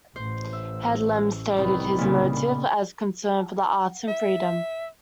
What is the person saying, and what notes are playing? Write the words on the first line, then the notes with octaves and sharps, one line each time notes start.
Headlam stated his motive as "concern for the arts and freedom".
A1 C5
E5
C2 D#3 G3 B3
A#2 C#3
E5